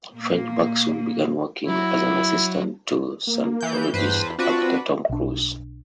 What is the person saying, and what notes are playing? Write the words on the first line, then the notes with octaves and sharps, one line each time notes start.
Feshbach soon began working as an assistant to Scientologist actor Tom Cruise.
A#2 A#3
F#3 E4
A#3
E3 G6
E2 G2 B4 C5
C4 D4 F4 F#4 B4
B1 D4